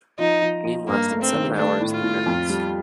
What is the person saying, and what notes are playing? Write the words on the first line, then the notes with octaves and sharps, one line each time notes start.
The game lasted seven hours three minutes.
F3 D#4
F3
F3
G2 A#3
A3
C4
D#3
A3 D4
A2
F4
A2
F2
G3